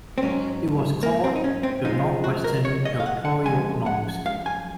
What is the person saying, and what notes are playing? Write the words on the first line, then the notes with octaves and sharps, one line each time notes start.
It was called the Northwestern Territorial Normal School.
C4
G#2 F#3 C#4
A#3
C4
D#4
C#4
C4
F#2 F3 G#3 D#4
F#4
A#4
C#5
D#5
F5
F#5
F#5
F#2 F3 G#3 G#5
F#5
F5
G#5